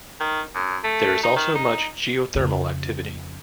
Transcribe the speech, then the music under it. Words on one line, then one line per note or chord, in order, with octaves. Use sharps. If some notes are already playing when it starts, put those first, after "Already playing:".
There is also much geothermal activity.
D#3
F#2
A3
D#4
D#3
D#4
F2 C#3